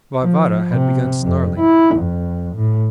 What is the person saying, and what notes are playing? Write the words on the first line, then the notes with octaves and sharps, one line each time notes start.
Varvara had begun snarling.
F3
C3
F2
E4
F2
A2